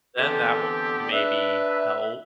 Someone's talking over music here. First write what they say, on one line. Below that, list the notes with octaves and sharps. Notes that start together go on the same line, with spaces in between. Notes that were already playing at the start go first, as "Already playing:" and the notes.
then that would maybe help
D3 E3 B3 C4 G4 A4
D4 B4 E5